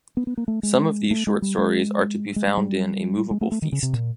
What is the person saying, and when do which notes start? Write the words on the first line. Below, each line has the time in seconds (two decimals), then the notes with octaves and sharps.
Some of these short stories are to be found in "A moveable feast".
0.17 B3
0.27 B3
0.37 A#3
0.48 A3
0.63 G#3
1.11 A3
1.27 G#3
1.42 G3
1.58 G#3
2.36 G#3
2.47 G#3
2.57 G3
3.31 G#3
3.41 A3
3.52 A3
3.62 D#3
3.72 C#3
3.83 C3
3.93 A#2